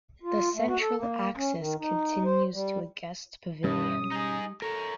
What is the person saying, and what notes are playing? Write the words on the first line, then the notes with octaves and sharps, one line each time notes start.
The central axis continues to a guest pavilion.
F4
A3
F#4
A4
A#3
C#4
D#3
D#4
C5
G3
G2 B2 G3 C#4 G4 D#6
D#4 G#4
A4 A#4 C#5